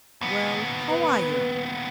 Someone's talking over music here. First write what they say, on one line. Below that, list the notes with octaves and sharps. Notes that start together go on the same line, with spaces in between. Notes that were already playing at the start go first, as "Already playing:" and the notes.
Well, how are you?
D#2 B3
B4